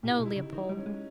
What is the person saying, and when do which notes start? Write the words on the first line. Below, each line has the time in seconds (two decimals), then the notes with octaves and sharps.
No, Leopold.
0.03 A#2 G4
0.10 E4
0.18 B2 D#4
0.26 E4
0.36 C#3
0.52 D#3 D#4
0.69 G3
0.77 C#4
0.86 G#3